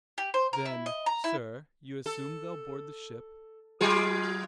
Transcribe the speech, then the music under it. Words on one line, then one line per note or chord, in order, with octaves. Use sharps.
"Then, sir, you assume they'll board the ship?"
G4
C5
A#4
E4
D#5
A#5
E4
A4
F#3 F4 G#4